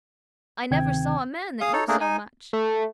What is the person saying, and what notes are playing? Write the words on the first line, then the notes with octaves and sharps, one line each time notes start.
"I never saw a man that knew so much!"
D2 C3 D#3 C4 G5 G#6
G#4 F5 D#6
D#4 A4 C#5
A3 A#3 D4 G#4 A#4
D#4 G#5
A3